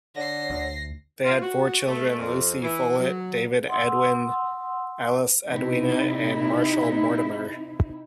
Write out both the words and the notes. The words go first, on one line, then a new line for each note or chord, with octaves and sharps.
They had four children: Lucy Follett, David Edwin, Alice Edwina and Marshall Mortimer.
D3 C#5 A#6 C7
D2
F4
F#4
A3
F2
E3
F#3
F#5 C6 D#6 E6
C3 D#4 E4